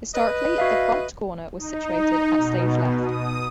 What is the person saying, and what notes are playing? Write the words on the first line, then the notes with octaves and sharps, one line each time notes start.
Historically, the prompt corner was situated at stage left.
B4 D#5
F#4 E5 F5
D#4
B2
D#6